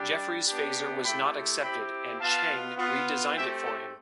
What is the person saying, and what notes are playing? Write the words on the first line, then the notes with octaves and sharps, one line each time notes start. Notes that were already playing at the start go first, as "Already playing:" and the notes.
Jefferies' phaser was not accepted, and Chang redesigned it for him.
Already playing: G3 D4 G4
B3 D4 G4
A3 E4 G4 G5 B5
C4 E4 G4 G5 B5
B3 F4 F5 A5
B3 F4
A3 C4 G4 E5 G5
A4